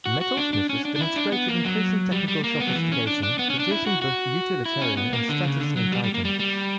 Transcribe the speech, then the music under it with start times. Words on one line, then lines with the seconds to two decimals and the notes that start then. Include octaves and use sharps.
Metal smiths demonstrated increasing technical sophistication, producing both utilitarian and status-linked items.
0.06 F#4
0.21 F#4
0.37 D4
0.53 D4
0.69 C#4
0.85 D4
0.96 D4
1.01 E4
1.16 D4
1.32 B3
1.48 A#3
1.65 F#3
2.11 G3
2.28 G3
2.44 A#3
2.60 B3
2.68 F#3
2.75 E3
2.92 C#4
3.07 D4
3.23 D4
3.39 B3
3.50 C#4
3.59 D4
3.71 E4
3.87 F#4
4.02 F#4
4.65 E4
4.82 C#4
4.97 B3
5.13 A#3
5.29 D3
5.45 C#3
5.60 D3
5.77 F#3
5.92 G3
6.04 G3
6.14 A#3
6.25 G3
6.40 G3